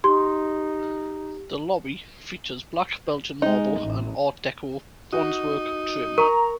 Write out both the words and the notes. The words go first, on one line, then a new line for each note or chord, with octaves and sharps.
The lobby features black Belgian Marble and Art Deco bronzework trim.
D#4 G4 C6
G#3 D#4
A1
D#4 F#4
A#4 A#5 C#6